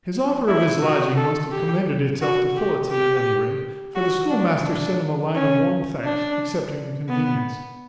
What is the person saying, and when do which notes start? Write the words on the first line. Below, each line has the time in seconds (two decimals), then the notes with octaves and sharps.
His offer of his lodging must have commended itself to Phillotson at any rate, for the schoolmaster sent him a line of warm thanks, accepting the convenience.
0.48 E4
0.82 F#4
1.17 A4
1.52 G4
2.22 F#4
2.57 G4
2.91 G4
3.95 F#4
4.31 D4
4.65 D4
5.35 C#4
6.04 D4
7.09 B3